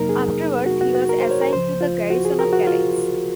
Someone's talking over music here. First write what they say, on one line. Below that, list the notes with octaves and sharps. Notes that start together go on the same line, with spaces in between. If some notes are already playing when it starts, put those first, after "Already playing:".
Afterwards, he was assigned to the garrison of Calais.
Already playing: F2 C3 F#3 A#3 D#4 A#4
G#4
F#4
F#4
F#4
A#4
C5
C#5
A#4
C#2 C#3 F3 C5
F4
F#4
G#4
A#4
F#4
F4